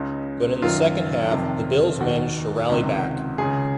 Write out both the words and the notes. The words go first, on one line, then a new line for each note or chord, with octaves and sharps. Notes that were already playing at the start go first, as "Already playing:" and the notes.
But in the second half, the Bills managed to rally back.
Already playing: C#2 C#3 D#4
F#2 D#3 F4
F2 C3 D#3
D#2 D#3 F#4
C#2 C3 D#3
C#2 C#3 G#4